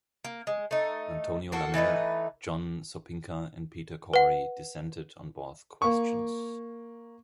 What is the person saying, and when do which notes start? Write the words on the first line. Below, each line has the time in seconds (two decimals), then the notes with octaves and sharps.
Antonio Lamer, John Sopinka, and Peter Cory dissented on both questions.
0.25 A#3
0.47 G#3
0.71 A3 D#4
1.52 A#3 F#4 A4
1.74 E3 A3 D#4 B4
4.14 B4 F#5
5.82 A#3 C#6